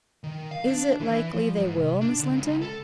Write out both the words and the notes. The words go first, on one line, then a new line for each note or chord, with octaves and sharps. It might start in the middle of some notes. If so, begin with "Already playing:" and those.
"Is it likely they will, Miss Linton?"
D#3
F5
D4
E3
F3
G#2
C3
D4
D3
C#2
A4